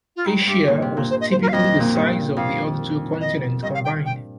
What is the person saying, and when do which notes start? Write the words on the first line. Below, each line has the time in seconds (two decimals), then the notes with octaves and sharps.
Asia was typically the size of the other two continents combined.
0.16 F4
0.25 G2 D#4
0.47 G2 G4
0.68 A#2
0.82 C3
0.97 A#2
1.10 C5
1.21 D#5
1.31 C5
1.42 A#4
1.48 F5
1.53 F2 D#5
1.80 A#2
1.95 G2
2.37 F2 F5
3.20 D#5
3.62 G2 D#5
3.74 F5
3.84 G5
4.05 G5